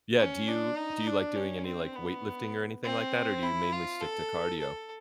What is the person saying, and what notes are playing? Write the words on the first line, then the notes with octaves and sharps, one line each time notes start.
Yeah, do you do you, like doing any, like, weightlifting or anything like that, or do you mainly stick to cardio?
C#4
D4
D#4
D4
C#4
C4
B3
C4
E4
F4
A4
A4